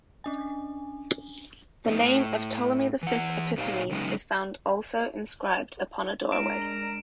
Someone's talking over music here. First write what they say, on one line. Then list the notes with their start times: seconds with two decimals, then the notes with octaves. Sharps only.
The name of Ptolemy the Fifth Epiphanes is found also inscribed upon a doorway.
0.24 C#4 D4 G#5
1.86 G#2 A3 B3 D#4
2.01 A2
3.03 E3 F#5
3.57 A#2 D#4 G4 C5 D5 F5
3.91 C#3 F#3 G#3 C#4 D#4 B4
6.32 G#3 D4 A#4 A#5 D7 E7